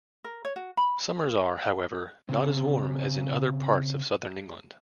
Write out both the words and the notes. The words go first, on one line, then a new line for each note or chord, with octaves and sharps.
Summers are, however, not as warm as in other parts of southern England.
A#4
C#5
F#4
B5
C#3 C4